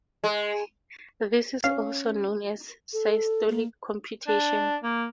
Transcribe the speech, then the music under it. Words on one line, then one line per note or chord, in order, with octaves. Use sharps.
This is also known as systolic computation.
G#3
C#4 F5
A4
A#3
D4
A#3